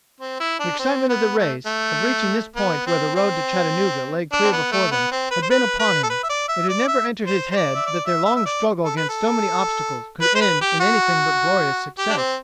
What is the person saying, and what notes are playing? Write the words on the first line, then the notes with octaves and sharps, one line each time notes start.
The excitement of the race, of reaching this point where the road to Chattanooga lay clear before them, had been upon him; it had never entered his head that their long struggle against so many obstacles could end in anything but glorious success.
C4
E4
D4
C4
B3
A3
A3
B3
C4
C4
D4
C4
B3
A3
B3
C4
B4
C5
B4
B4
A4
B4
E5
D5
E5
D5
E5
C5
C5
D5
E5
D5
E5
E5
E5
D5
A4
B4
A4
B4
C5
B4
G4
F#4
G4
D4
C4